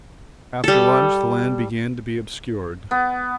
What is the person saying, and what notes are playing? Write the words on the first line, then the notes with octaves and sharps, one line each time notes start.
After lunch the land began to be obscured.
G3 A4
B3